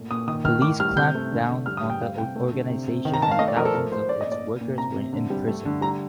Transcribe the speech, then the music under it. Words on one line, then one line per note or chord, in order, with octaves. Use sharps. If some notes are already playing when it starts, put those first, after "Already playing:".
Police clamped down on the organisation and thousands of its workers were imprisoned.
Already playing: A#2 A3
A#2 D#6
D#3 D#6
D#3 F6
A2 D6
G3 F6
C3 G6
A3
D3
D3
G3 F6
D#6
G3
G5
A3 F5
C3 G5
A3
D3
C3
C3
D#3
A#5
D#3 A5
F5
A3 D#5
D5
F3 A#4
A4
A3 A#4
A3 C5
A3 D5
D#5
A#2 D5
A#2
A#2
C3 A#5
C3
D3
G3
A3
D3
G3 A#5